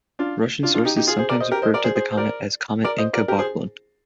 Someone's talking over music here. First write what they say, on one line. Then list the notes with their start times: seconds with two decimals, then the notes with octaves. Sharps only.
Russian sources sometimes referred to the comet as Comet Encke-Backlund.
0.19 D4 F4
0.63 D4 F4
0.74 D4 F4
0.85 D#4 G4
0.96 D#4 G4
1.07 F4 G#4
1.18 G#4 C5
1.29 A#4 D5
1.40 C5 D#5
1.51 G4 A#4
1.62 C5 D#5
1.74 A#4 D5
1.84 G#4 C5
1.95 G#4 C5
2.12 C5
2.18 A#4 D5
2.85 A#4 D5
2.98 C5 D#5
3.13 A#4 D5
3.28 G4 A#4
3.39 G#4 C5